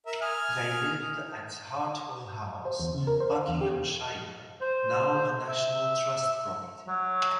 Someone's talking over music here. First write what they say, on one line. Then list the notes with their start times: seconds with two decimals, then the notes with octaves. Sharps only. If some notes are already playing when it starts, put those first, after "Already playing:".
They lived at Hartwell House, Buckinghamshire, now a National Trust property.
0.06 A#4 E5
0.22 G#5 D#6 F6
2.65 C5
2.80 E2
2.94 C#3
3.07 A#4
3.20 C5
3.35 F5
3.48 E2
3.61 G4
4.61 C5
5.48 E5
6.87 F#3